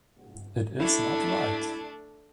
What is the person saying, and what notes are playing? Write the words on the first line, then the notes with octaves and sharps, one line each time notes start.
It is not right!
A3 D4 E4